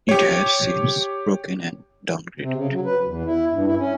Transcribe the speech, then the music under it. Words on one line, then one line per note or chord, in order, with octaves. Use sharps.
It has since broken and downgraded.
G4 C#5
C3
C#3
F#3
B4
E2
E4
G2
E4
C#4